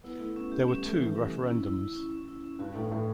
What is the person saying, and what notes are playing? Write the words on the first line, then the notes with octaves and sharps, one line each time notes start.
There were two referendums.
B3 E4
A3 E4
B3 C#4
A3 G4
G3 C#4
A3 G4
E3 G4
C#3 C#4
C#4
E4
E4
E4
C#4
C#4
E4
C#4
G2 F#4
A2 B4
A2 B4